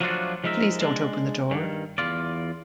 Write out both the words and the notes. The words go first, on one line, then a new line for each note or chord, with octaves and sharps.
Please don't open the door.
F3 F#3 A3 D4 F4 F#4
F3 G#3 D#4 A#4 E5
G#3 D4
G2 D#3
E2 F4 D5